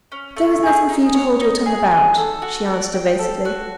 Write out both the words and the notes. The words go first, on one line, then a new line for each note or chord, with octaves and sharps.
"There is nothing for you to hold your tongue about," she answered evasively.
C#4
A3
G#4
D#4
C#5
D#4
G#4
D#4
A4
F#4
D5
G5
A4
F#4